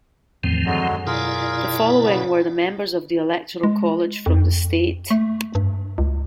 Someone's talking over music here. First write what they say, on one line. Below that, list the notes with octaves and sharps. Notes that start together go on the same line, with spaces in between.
The following were the members of the Electoral College from the state.
E2 A2 D#3 F3 C4
F#2 D3 F#3 G#3
B2 E4 F4 G#4 A#4 D5
C#3 B3
G#3
F2
A3
G2
C#2